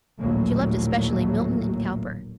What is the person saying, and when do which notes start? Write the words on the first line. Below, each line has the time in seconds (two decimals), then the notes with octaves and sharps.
She loved especially Milton and Cowper.
0.19 A#1 D#2 A2 F#3 A3 A#3